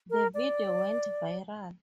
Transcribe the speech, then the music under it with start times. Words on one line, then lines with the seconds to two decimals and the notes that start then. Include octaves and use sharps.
The video went viral.
0.10 A#4
0.34 D5